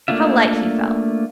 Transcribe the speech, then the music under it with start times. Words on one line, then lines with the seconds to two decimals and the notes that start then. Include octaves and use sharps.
How light he felt!
0.08 A3 A#3 D4 F4 E5